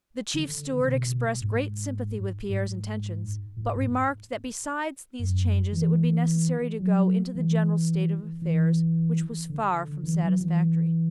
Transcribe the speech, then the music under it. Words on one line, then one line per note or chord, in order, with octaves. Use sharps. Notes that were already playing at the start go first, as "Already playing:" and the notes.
The chief steward expressed great sympathy with Pierre's intentions, but remarked that besides these changes it would be necessary to go into the general state of affairs which was far from satisfactory.
D3
C#3
B2
G#2
G#2
A2
G#2
F#2
E3
F#3
E3
E3
D3
E3
F#3
E3